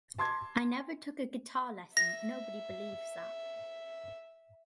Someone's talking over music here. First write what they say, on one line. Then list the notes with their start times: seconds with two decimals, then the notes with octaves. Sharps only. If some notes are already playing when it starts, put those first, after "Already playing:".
I never took a guitar lesson, nobody believes that.
0.19 A5 C6 D6 G#6
1.97 E5 A#6